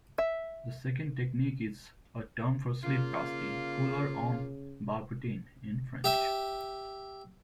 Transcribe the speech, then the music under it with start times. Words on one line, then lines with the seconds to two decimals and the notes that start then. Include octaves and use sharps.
The second technique is a term for slipcasting, "couler en barbotine" in French.
0.18 E5
2.83 C#3 A#3 F4
6.04 G4 E5